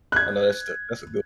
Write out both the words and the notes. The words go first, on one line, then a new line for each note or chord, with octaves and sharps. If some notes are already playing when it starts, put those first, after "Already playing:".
I know that's the that's a good no
F#6 G#6